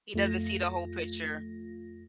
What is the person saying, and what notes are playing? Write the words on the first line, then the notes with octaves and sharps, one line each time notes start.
He doesn't see the whole picture.
F2 A3 F4 A#6